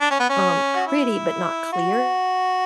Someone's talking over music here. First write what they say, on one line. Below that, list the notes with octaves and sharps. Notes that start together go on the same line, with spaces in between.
um, pretty but not clear,
D4
C#4
B3
C#4
F#4
E4
F#4